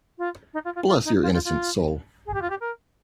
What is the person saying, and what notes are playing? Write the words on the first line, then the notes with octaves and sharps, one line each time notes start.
Bless your innocent soul!
F4
D#4
F4
F4
F4
D#4
F4
F4
F4
G#4
G4
F4
G4
A#4